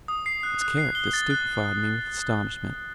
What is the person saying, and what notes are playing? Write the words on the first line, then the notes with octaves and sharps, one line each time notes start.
Its character stupefied me with astonishment.
D#6
C7
F#6
F#6
C7
G7
A6
F#6